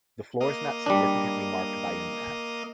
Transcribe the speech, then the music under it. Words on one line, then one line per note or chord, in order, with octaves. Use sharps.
The floor is not significantly marked by impacts.
A#3 D#5
G3 D4